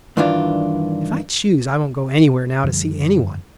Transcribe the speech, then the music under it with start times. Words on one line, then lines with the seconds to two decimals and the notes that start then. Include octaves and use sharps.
If I choose, I won't go anywhere now to see any one.
0.17 G2 D#3 E3 D4 F4
2.63 F#2 D3 F3 G3